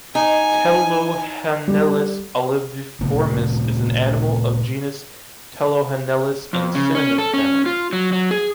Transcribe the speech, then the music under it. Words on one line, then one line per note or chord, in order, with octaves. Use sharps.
Thelohanellus oliviformis is an animal of genus Thelohanellus in Synonyms family.
D#4 G#5
G3
A#2 C#3 A3 C4
F2
C#3
C#4
A4
C#4
F4
F#3
F#3
G#4